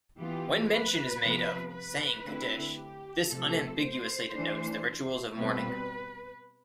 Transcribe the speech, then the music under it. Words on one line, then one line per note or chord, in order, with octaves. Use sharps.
When mention is made of "saying Kaddish", this unambiguously denotes the rituals of mourning.
E3 B3 F4 G4
B4
C3 F3 B3 F4
B4
D3 A3 C4 E4
G4
C3 F3 A3 A4
C5
E3 A3 D4
B2 G3 C4 B4